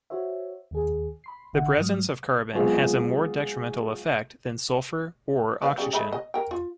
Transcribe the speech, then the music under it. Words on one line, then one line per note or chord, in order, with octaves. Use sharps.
The presence of carbon has a more detrimental effect than sulfur or oxygen.
F#4 C5 C#5 E5
D#2 G#4
B5 C6 C7
A1 D3 E5 F#5
G#2 F#3 D#6 F6
F#3 G#3 B3 C4 F4 G#4
B4 D5 F5
C#3 G3
G#3 A3 B5
D#5
A#4 G5
F4